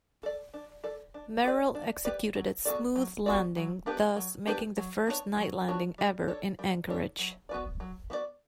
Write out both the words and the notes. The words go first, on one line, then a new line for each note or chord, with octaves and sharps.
Merrill executed a smooth landing, thus making the first night landing ever in Anchorage.
A4 D5
D4
A4 D5
D4
G4 B4 D5
D4
G4 B4 D5
F#3
B3 F#4 A4 D5
F#3
B3 F#4 A4 D5
F#3
B3 D4 G4 B4
F#3
B3 D4 G4 B4
F#3
B3 D4 F#4 C#5
F#3
B3 D4 F#4 C#5
G3
D4 A4 C#5
G3
D4 A4 C#5
F#3
B3 F#4 B4 D5
F#3
B3 F#4 B4 D5